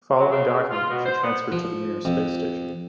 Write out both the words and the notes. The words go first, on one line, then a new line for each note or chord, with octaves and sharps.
Following docking, she transferred to the Mir Space Station.
F#3
C#3
C#3
F4
B2
C5
B3
F3
F2